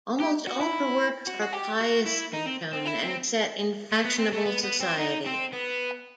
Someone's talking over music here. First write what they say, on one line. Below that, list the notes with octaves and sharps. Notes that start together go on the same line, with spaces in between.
Almost all her works are pious in tone and set in fashionable society.
G4
F#4
E4
F#4
F#4
G4
F#4
E4
D#4
C4
C4
E4
C4
A3
B3
C4
A3
B3
B3
C4
D#4
C4
B3